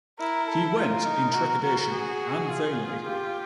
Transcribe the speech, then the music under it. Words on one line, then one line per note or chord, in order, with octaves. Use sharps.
He went, in trepidation... and vainly.
E4 A#4
A4
F4 A#4
D#4
F#4
F#4
G#4
F4
G4